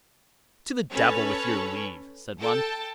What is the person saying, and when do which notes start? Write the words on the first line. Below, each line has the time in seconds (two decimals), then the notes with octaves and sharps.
'To the devil with your leave', said one.
0.92 C#4 A4 B4 C#5
2.40 A4 G5 A5